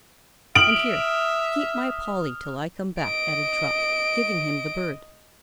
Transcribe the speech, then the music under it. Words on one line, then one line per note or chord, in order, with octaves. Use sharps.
"And here--keep my polly till I come back," added Trot, giving him the bird.
E5 D#6 F6 D7 F#7
D#5 D7